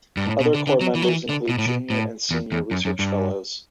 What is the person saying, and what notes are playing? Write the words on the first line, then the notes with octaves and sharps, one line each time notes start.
Other core members include Junior and Senior Research Fellows.
G2
A2
B2
D3
D3
F#3
E3
F#3
E3
D3
B2
A2
B2
A2
E2
E2
F#2
F#2
G2